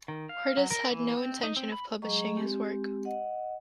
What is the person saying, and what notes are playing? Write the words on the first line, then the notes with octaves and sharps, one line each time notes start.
Cordus had no intention of publishing his work.
D#3
F5
F#3
A#4
E3
C4
D#4
C4
B5
F#3 G#3 G#4 D#5 A#5 C#6
G#3 C4 G4
D#5 F#5